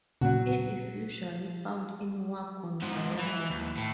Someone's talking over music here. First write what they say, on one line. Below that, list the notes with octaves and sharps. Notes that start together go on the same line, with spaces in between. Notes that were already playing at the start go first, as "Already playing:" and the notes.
It is usually found in wagon variants.
A#2 C#3 F#3 F#4
G#2 F3
E3
D#2
A2